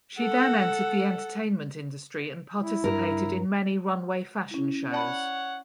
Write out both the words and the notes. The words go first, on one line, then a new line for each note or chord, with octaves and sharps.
She then entered the entertainment industry and participated in many runway fashion shows.
A4 F#5
E4
G2 A#4
C#4 E4
C#5 D5 F#5 A5 B5